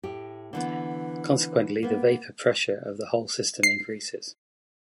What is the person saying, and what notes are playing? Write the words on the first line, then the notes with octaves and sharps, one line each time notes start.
Consequently, the vapor pressure of the whole system increases.
A2 G4
D3 E3 B3
A#3 B3
C7